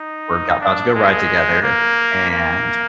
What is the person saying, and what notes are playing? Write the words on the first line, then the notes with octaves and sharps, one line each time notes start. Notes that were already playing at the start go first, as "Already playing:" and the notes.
were g about to go ride together, and
Already playing: D#4
D4
G#3
A#3
A#3